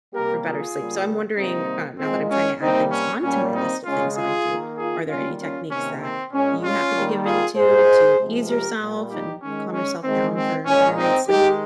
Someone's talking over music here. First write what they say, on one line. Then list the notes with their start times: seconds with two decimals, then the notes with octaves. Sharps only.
for better sleep, so I'm wondering, uh- now that I'm trying to add things onto my list of things that I do- are there any techniques that you happen to give into to ease yourself and calm yourself down for a better night's sleep?
0.13 C3 G3 A#3 G4 A#4
0.44 F4 G#4
0.75 C#3 G3 A#3
1.37 C3 D#3 G3 A#3 C4 D#4
1.98 A#2 G#3 C4
2.30 C#4
2.61 C3 G3 A#3 C4 D#4
2.92 C#4
3.22 A#2 G3 A#3 C#4
3.54 C4 D#4
3.85 C#3 G#3 C#4 F4
4.16 F4 G#4
4.47 D#3 A#3
4.77 F4 G#4
5.08 D#3 G3 A#3 C#4 F4
5.39 C#4 F4
5.70 C3 D#3 A#3 C#4
6.02 C4
6.33 A#2 G#3 C#4
6.63 C#4 F4
6.95 D#3 G3 A#3
7.25 F4 G#4
7.56 A#2 G#3 G#4 C5
8.18 C3 F3 G#3
8.49 G4 A#4
8.80 A#2 G3 A#3
9.11 D#4 G4
9.42 D#3 G#3 C#4
9.72 C#4
10.03 D#3 G#3 C4
10.35 C4
10.66 A#2 G#3 C#4
10.97 C4 D#4
11.27 D#3 G#3 D#4 G4